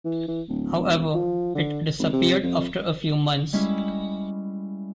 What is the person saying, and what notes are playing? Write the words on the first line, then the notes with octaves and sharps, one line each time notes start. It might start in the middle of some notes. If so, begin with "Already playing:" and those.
However, it disappeared after a few months.
E3
E3
D1
E1
F3
D3
G#1
C3
F2
G3 G#3 C#4 E4